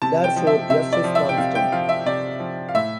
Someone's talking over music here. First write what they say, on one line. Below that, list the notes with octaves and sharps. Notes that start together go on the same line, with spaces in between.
Therefore, "f" is constant.
C3 A5
G5
F3
E5
C3 E5
D5
F3
E5
G5
C3 F5
G5
F3 F5
E5
C3 D5
F3
F5
A2 E5